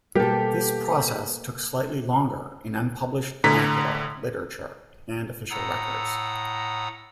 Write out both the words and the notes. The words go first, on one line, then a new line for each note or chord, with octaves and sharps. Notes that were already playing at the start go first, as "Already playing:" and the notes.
This process took slightly longer in unpublished vernacular literature and official records.
B2 G3 A#3 B3 G4 A4 A#4 G5
A2 D3 A#5 B6
A2 F#5 A#5 D#6 E6